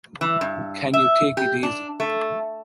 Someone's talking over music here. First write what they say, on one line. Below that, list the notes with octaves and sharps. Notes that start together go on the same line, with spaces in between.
Can you take it easy?
E3
G2
E5
G4
D4
A3